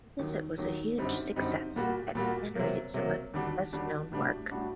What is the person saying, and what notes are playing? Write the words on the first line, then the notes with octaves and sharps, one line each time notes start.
The visit was a huge success and generated some of his best known work.
D#2 D#3 F#3
D#2 D#3 F#3
F#2 D3 G3 C4 D#4
F#2 D3 G3 C4 D#4
A#2 G3 A#3 F#4
A#2 G3 A#3 F#4
C3 F#3 A#3
C3 F#3 A#3
D#2 D3 G3 D4 F#4
D#2 D3 G3 D4 F#4
A2 G3 D4 F#4
A2 G3 D4 F#4